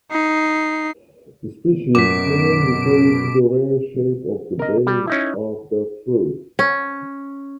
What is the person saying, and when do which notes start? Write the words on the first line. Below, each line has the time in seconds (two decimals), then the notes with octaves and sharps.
The species name refers to the rare shape of the base of the fruit.
0.11 D#4 C7
1.95 F#2 B2 D6 B6 D7
4.59 A#4 D#5
4.87 G3
5.07 C#4 D#4 E4
6.59 C#4